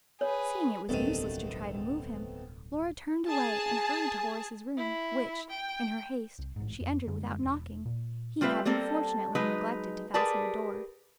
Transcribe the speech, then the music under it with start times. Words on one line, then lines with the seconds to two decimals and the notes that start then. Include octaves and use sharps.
Seeing it was useless to try to move him, Lora turned away and hurried to Horace's room, which, in her haste, she entered without knocking, he having fortunately neglected to fasten the door.
0.21 G#4 B4 C#5
0.89 D1 B1 G2 D#3 A3 B3 C4 D#7
3.28 G#4 A5
4.77 E4
5.50 G5
6.39 C2
6.56 A1 G#2
6.80 F2
7.08 F#2 D3 G3 G#3
7.43 E1
7.85 A#2
8.41 G3 C4 F4 G4 B4 E5
8.65 G3 A#3 C4 A4
9.35 F#3 G#3 D#4 B4
10.14 G4 G#4 A#4 B4 D5 A5